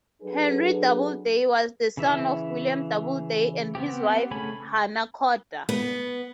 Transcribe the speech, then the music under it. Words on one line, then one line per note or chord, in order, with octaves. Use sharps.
Henry Doubleday was the son of William Doubleday and his wife Hannah Corder.
F#3 D4 G#4 A4 B4
C#3 E3 E5
B3 C4 G4
C#3 A3 C#4 G#5 B5
B3